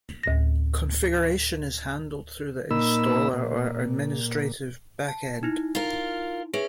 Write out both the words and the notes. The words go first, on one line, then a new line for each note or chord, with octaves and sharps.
Configuration is handled through the installer or administrative back-end.
D2 A2 A#6
A#2 A#3 D#4 B5 E6
A#2
A5
D#4 E4
F4 A#4
C#4 G#4 B4 E5